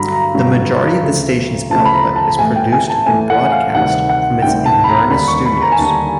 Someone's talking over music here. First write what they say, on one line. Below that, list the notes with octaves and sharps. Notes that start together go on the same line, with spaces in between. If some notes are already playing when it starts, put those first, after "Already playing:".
The majority of the station's output is produced and broadcast from its Inverness studios.
Already playing: G2 D3 F#3 A#5 B5
A#5
G2 D3 F#3
D2 C#3 F3 A3
D2 C#3 F3 A3 A5
B5
A#5
A5
A2 E3 A3 G#5
G5
G#5
A5
A2 E3 A3 G#5
F#5
F5
D2 C3 D#3 G3 F#5
F#5
D2 C3 D#3 G3 G5
A5
B5
A#5
D#2 D3 G3 B5
C#6
B5
A#5
G#5
D#2 D3 G3 A5